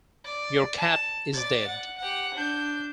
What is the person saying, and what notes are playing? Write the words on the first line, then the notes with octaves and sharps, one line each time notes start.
Your Cat Is Dead.
D5
A5
D5 A6
F#5
G4 F#5
D4 G6